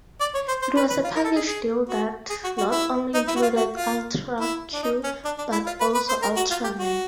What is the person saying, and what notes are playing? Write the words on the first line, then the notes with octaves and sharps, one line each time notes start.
It was a package deal that not only included "Ultra Q", but also Ultraman.
D5
C#5
C5
C5
B4
B4
F4
A#4
A4
G#4
G#4
F#4
G#4
F#4
F#4
E4
D#4
E4
F#4
F4
F#4
F4
E4
D4
D#4
C#4
D4
D4
E4
F4
B4
B4
C5
A#4
F#4
F4
G4
F#4